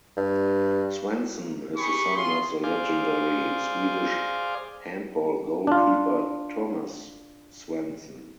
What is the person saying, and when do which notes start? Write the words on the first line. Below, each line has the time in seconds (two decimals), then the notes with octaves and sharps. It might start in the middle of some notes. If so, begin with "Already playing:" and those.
Svensson is the son of the legendary Swedish handball goalkeeper Tomas Svensson.
0.17 G2
1.76 G4 G#4 B5 C#6
2.16 F4 G#4 C6
2.63 G#4 C5 D5 F5
5.67 D4 F4